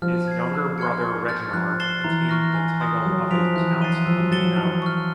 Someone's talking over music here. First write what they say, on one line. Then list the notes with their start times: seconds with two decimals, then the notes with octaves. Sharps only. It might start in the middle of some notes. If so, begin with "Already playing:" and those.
His younger brother Reginar attained the title of a Count of Hainaut.
0.02 F3 F6
0.28 G#6 C7
0.53 A5
0.78 C6 F6 G#6 C#7
1.03 C#6
1.29 F6 A6
1.53 F3 F#6
1.80 A6 C7 E7 G7
2.04 E3 A#5
2.29 C#6 F6 A#6
2.54 G#5
2.80 C6 D#6
3.05 F#3 D#6
3.31 F3 F#6 B6 D7 F7
3.55 E3 F#6
3.81 A6 C7 D#7 G7
4.06 F3 E6
4.20 F#3
4.31 F#3 A6 C#7 E7 G7
4.44 F3
4.57 E3 A5
4.82 C#6 F6